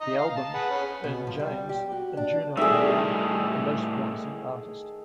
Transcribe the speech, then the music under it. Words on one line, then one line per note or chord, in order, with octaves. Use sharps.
The album earned James a Juno Award for "Most Promising Artist".
D#5 A#5
F5
A5
G#4 B4 F#5
C#4 B5
B2
F3
G3
G4
F#4
D4
A2 D#3 G3 G#4 A4 D5 E5